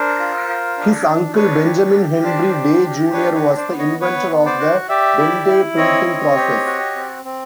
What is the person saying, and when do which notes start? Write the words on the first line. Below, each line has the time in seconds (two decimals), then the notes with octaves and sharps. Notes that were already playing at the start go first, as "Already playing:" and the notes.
His uncle, Benjamin Henry Day, Junior was the inventor of the Benday printing process.
Already playing: D4 A#4 C5
0.19 F4
0.48 F4
0.77 D4
1.06 D4
1.35 D4 B4 C#5
1.65 G4
1.95 G4
2.24 D4 C5 D5
2.53 G4
2.83 G4
3.12 D4 B4 C#5
3.34 B4 C#5
3.43 D4
3.57 C5 D5
3.71 B3
3.79 C#5 D#5
4.01 B3 B4 C#5
4.30 B3
4.45 C5 D5
4.59 F#4
4.89 G4 D5 E5
5.19 E4
5.48 E4
5.77 C4 C#5 D#5
6.07 C4
6.36 G4
6.66 F#4
6.96 C4
7.25 C4